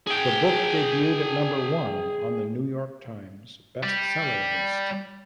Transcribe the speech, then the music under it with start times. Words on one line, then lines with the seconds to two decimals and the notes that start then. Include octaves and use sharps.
The book debuted at number one on "The New York Times" Best Seller list.
0.07 G#4 G5
3.83 G3